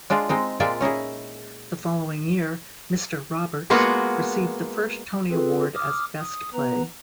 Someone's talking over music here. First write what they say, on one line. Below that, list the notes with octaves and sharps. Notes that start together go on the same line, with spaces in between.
The following year "Mister Roberts" received the first Tony Award as Best Play.
G#3 D4 F4 G#4
G#3 C4 D#4
A#2 G#3 F4 D5 E5 G5
C#4 D#4 E4 G#4
G#3 A#3 B3 F4 F#4
C4 F4 G#4 A4 B4
D6 D#6 F6
D#6
B3 B4 A#5